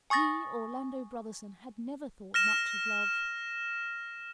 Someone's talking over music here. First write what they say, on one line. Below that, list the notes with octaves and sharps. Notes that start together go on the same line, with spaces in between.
He, Orlando Brotherson, had never thought much of love.
G#5 C#6 D#6 A6 A#6
F6 A#6 E7